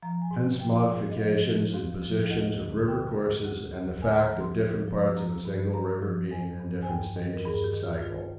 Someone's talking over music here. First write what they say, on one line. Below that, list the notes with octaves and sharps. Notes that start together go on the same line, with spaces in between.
Hence modification in positions of river courses and the fact of different parts of a single river being in different stages of cycle.
F3 A#5
G#5
G#2
F3 G5
G#2
D#5
F3 F5
F3
G#2 F5
F3
F5
D2 D#5
D3
D3 G5
D2
D2
D2
D3 G#5
C6
A#5
F3
C6
F3
F3
F3 A#5
G2
G2 A#5
F3
F3 G#5
G2
G#5
G2 G5
D#3
A#4
G2 G#4
G4
D#3
F4
D#3 F4